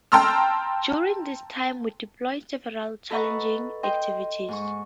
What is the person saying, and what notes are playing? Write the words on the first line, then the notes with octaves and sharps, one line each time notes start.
During this time we deployed several challenging activities.
G5 A5 A#5 C6 E6 F6
A4 B4 D#5 F#5 A#5 C#6
D#5 G5 C6
G#2 G#3 C#6